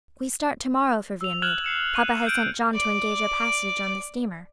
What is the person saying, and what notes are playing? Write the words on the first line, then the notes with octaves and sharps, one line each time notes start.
"We start to-morrow for Viamede; papa has sent John to engage our passage on the steamer."
E6 F7
F6 F#6 G#6 E7 F#7
C7 C#7 E7
F#6 D#7
G6 D7
D5 D6